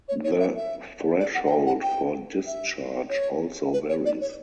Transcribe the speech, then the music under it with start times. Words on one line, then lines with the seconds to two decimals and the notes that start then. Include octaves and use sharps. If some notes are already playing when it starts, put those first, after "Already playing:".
The threshold for discharge also varies.
0.08 C#5
0.24 C#5
0.40 E5
0.56 E5
1.19 D5
1.35 F#5
1.46 F#5
1.50 G5
1.66 F#5
1.82 G5
2.47 E5
3.09 C#5
3.73 B4
3.89 C#5
4.05 D5
4.21 C#5